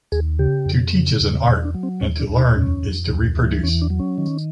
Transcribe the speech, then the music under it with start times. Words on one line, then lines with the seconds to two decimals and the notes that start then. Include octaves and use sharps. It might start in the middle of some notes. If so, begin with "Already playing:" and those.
To teach is an art, and to learn is to reproduce.
0.12 D#2 G#4
0.39 C#3 G4
0.66 F2
0.93 C#3
1.20 E2
1.47 E2
1.65 D4
1.75 F#3
1.83 C4
2.01 D#2 C#4
2.19 D4
2.29 D#2
2.37 D#4
2.56 F2 C#4
2.83 F2
3.10 D2
3.37 E3
3.63 E2 C#4
3.82 D4
3.90 F#3
3.99 C#4
4.18 D#3